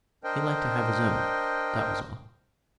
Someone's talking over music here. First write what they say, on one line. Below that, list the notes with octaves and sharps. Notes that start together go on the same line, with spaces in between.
He liked to have his own,--that was all.
D4 A#4 C5 D#5 G5